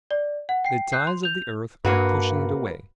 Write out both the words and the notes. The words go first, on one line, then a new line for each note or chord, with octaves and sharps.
The tides of the earth are pushing it away.
D5
F#5
G5 C7
F#6 G6 C7
C6
G6 F7
G2 A#3 F#4 B4